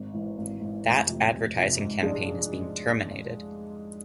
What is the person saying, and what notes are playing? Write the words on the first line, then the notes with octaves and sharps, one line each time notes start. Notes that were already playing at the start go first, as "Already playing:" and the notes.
That advertising campaign is being terminated.
Already playing: G#1
G#2 E3
G#1
G#2 E3
F1
F2 C3
F1
F2 C3
G#2
F3 G#3 D4 F4